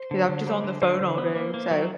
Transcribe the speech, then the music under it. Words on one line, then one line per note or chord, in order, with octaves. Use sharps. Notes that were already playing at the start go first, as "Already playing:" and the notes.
goes, "I'm just on the phone all day." So
Already playing: C5
D3
D3
G3
D3
D3 C5
D3
B3
A#3
A#3
F#3